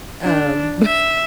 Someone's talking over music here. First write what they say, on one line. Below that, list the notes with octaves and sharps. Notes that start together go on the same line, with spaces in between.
Um, bu
D4
E5